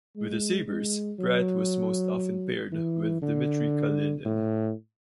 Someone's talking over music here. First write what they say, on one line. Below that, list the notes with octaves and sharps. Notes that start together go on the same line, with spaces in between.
With the Sabres, Pratt was most often paired with Dmitri Kalinin.
G#3
G#3
F#3
E3
D3
A2